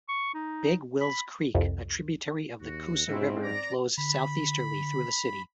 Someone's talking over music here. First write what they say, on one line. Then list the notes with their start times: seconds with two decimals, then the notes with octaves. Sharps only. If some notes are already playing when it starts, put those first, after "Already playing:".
Big Wills Creek, a tributary of the Coosa River, flows southeasterly through the city.
0.09 C#6
0.34 D#4
1.01 B5
1.55 C2 F2
2.61 D#2 F#4
3.08 G#2 C4 C#4 E4
3.41 D5 A#5
3.98 D3 B5